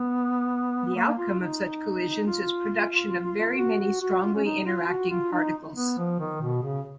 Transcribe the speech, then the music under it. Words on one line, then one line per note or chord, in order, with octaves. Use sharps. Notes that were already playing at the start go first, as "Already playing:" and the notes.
The outcome of such collisions is production of very many strongly interacting particles.
Already playing: B3
A#3
F4
D#4
F4
F#4
F#4
F#4
F4
C#4
D#4
F4
F#4
F4
D#4
B3
F3
D#3
B2
C#3